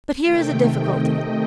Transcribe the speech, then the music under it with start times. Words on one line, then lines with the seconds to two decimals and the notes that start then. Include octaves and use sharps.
But here is a difficulty.
0.23 C3 D#3 A3 G5
0.74 D#5